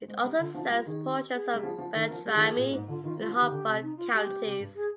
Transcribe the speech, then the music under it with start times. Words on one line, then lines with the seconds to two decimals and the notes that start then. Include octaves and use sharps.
It also serves portions of Beltrami and Hubbard counties.
0.08 G#3 C5
0.24 G3
0.39 D3 F4
0.54 F3 D#4
0.63 G4
0.70 G3 F4
0.86 D#3 G#4
1.01 G4
1.32 G#4
1.54 G3
1.63 F3
1.78 F3
1.94 D#3 A#4
2.10 F3
2.25 G3 G#4
2.35 D#3
2.41 F3
2.56 A#2
2.68 A#2
2.72 G#2
2.88 D3 F4
3.03 D#3 F4
3.19 G3 F4
3.29 F3
3.35 G4
3.40 D#3
3.50 D3
3.66 C3
3.81 D#4
3.97 F4
4.12 G#3 G4
4.27 G3
4.43 C3
4.59 G2
4.75 G#4